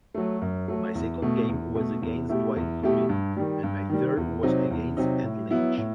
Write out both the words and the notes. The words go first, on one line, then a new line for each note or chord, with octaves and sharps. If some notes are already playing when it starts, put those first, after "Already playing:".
My second game was against Dwight Gooden, and my third was against Ed Lynch.
F#3 A3
F#2
F#3 A3
E2
B2 A3
E2
B2 A3
E2
B2 A3 E4 G4
E2
B2 A3 E4 G4
G2
D#3 G3
G2
D#3 G3
E2
C3 F#3 C4 D#4
E2
C3 F#3 C4 D#4
A2
F#3 B3 E4
A2